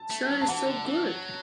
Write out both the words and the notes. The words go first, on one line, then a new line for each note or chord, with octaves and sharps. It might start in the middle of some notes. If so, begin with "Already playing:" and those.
Sir is so good!
Already playing: A5
A3
F#3
A5
E3 F#5
D3
E3
F#3